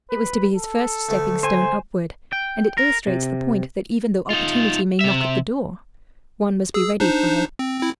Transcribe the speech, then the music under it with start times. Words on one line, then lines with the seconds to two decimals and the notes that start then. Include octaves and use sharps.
It was to be his first stepping stone upward, and it illustrates the point that even though Opportunity may knock at the door--one must be ready for her.
0.10 B4
0.56 A4
1.09 D2 A3
1.43 C5 G#5
2.33 G5
2.78 A#4
3.07 C3
4.30 D#4 F4
5.01 C3 E5
6.74 G#4 E6
7.00 D4 D#4 C5
7.59 C4
7.79 C4 E4